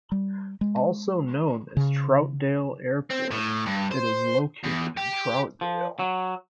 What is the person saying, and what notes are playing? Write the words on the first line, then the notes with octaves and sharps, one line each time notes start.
Also known as Troutdale Airport, it is located in Troutdale.
G3
G#3
C#3
C4
A2
G2
C5
E2
G4
F3
F#3